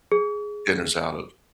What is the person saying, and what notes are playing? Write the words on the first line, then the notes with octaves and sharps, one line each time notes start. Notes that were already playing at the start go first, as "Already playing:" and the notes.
dinners out of.
G#4